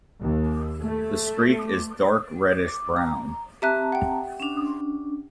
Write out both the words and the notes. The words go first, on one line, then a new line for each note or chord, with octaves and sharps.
The streak is dark reddish brown.
D#2
A3
A#5
C4 G4 E5 A5 A#5 F#6
F#5 G5
C#4 D4